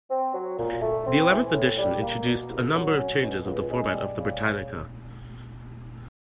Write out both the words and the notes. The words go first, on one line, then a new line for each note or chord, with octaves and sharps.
The eleventh edition introduced a number of changes of the format of the "Britannica".
C4
F#3
A#2
A3
C4
E3
A2
G3
A#3
B2
C2
F#3
C#4
B2
C#2
G#3
G3
C#3